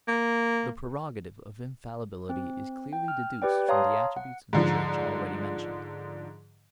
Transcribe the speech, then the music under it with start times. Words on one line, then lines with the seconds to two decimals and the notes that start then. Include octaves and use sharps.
The prerogative of infallibility is clearly deduced from the attributes of the Church already mentioned.
0.08 A#3
2.29 C4
2.93 G5
3.08 F6
3.42 G4 B4 D5 G5
3.68 C#5 F5 A5 A#5 C6 D#6
4.17 F#5
4.53 G#2 D3 F3